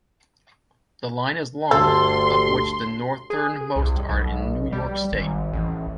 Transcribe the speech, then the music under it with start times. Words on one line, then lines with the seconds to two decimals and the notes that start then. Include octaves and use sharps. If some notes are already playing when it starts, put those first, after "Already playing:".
The line is long, of which the northernmost are in New York State.
1.71 G1 D2 G4 A4 A5 C6
3.30 G#4
3.76 C2
4.09 B1
4.72 G3
5.12 G#1
5.53 A1